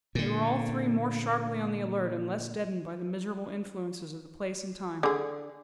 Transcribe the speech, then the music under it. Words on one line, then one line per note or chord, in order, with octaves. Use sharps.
They were all three more sharply on the alert, and less deadened by the miserable influences of the place and time.
A#2 D3
D3 G#4